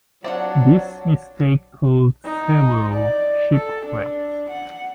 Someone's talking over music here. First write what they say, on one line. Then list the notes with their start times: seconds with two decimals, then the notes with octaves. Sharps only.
This mistake caused several shipwrecks.
0.24 F#3 C4 D4 F4 D5 F#5
2.25 D#4
2.94 D5
3.53 A4
3.85 D4
4.49 F#5